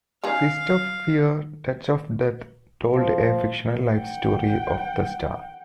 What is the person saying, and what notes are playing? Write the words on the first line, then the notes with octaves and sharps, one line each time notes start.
"Fist of Fear, Touch of Death" told a fictional life story of the star.
C#3 D#4 G#4 F5
F3
F#5 G5